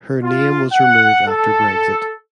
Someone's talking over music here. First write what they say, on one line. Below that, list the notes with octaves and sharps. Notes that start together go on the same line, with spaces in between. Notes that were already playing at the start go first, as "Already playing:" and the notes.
Her name was removed after Brexit.
F4
F#5
A4